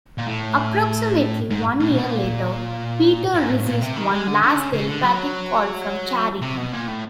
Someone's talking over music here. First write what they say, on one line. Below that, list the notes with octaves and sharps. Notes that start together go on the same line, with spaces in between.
Approximately one year later, Peter receives one last telepathic call from Charity.
A#2
A2
G#2
A2
A#2
B2
A#2
G#2
A2
A#2
C3
D#3
G#3
D3
D3
C#3
C#3
D3
F#3
C3
B2
A#2
A2